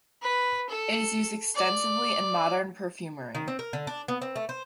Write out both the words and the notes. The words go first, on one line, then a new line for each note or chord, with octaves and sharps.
It is used extensively in modern perfumery.
B4
A4
D5
D#3
C4
A#4
D3
D4
B3
C4
A3
C5